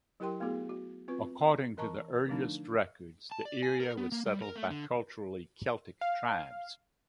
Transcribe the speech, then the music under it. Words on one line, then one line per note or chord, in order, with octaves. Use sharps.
According to the earliest records, the area was settled by culturally Celtic tribes.
F#3 E4 G4 A#4 G5 C6
A3 B3 E4 F#4 G#4
F#4
C4 F4 B4
E3 A#4 D#5 A5 A#5 C#6
D3 F3 A3 D4 D#4
A5
D5
G#5
A#4
B3
A#3
G3
A#4
A3
D3
F5